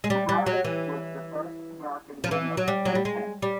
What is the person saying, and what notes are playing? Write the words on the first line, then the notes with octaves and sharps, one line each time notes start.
Zaharias was the first American winner of the event.
G#3
G3
G3
F#3
E3
F3
E3
F#3
G3
F#3
G3
G#3
G3